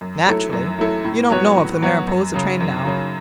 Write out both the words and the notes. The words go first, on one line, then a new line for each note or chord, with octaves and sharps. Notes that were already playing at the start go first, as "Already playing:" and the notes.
Naturally you don't know of the Mariposa train now.
F#2
F#3 A3 E4 A4
F#2
F#3 A3 E4 A4
A2
F#3 B3 F#4 C#5
A2
F#3 B3 F#4 C#5
F#2
C#3 F#3
F#2
C#3 F#3